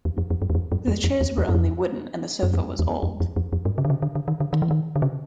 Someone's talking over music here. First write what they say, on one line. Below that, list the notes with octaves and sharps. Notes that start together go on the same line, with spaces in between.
The chairs were only wooden, and the sofa was old.
E2
F2
F2
F#2
E2
F2
F#2
F2
F2
E2
E2
F#2
F2
F#2
F2
E2
F2
F2
F2
F2
G2
C#3
D3
C#3
D3
D3
D#3
D3
D#3
E3
D#3
D3
C#3